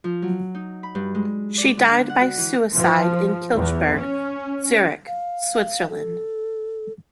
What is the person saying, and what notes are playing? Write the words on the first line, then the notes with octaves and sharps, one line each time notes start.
She died by suicide in Kilchberg, Zurich, Switzerland.
F3
F#3
D#4
B5
G2
G#3
D5
D3
D4
F#5
F#4
E3
F3
E2
C#4
F5
A4